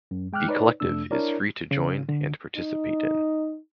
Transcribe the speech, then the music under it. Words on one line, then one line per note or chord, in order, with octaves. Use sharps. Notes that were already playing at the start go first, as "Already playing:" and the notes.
The Collective is free to join and participate in.
F#2
G#3 G5 D6 F6 F#6
D#4 B4 C#5 D5
F2 C3 A3 D4 E6
D4 E4 A#4 C#5 D5
C#3
D3
D#4